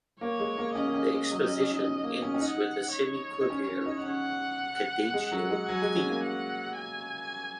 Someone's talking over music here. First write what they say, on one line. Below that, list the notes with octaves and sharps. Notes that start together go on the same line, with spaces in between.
The exposition ends with a semiquaver cadential theme.
A#3 C#5
G#3
A#3
C#4 D#5
A#3
C#4
G#3
F#3
C#4
C#4
D#4
C#4
A#3
C#4
C#4
D#4 F#5
C#5
D#4
C#4
C#4
D#4
D#4
C#4 F#5
G#3
F#3
G#3
F#3 G#5
G#3
C#4
A#3
F#5
G#5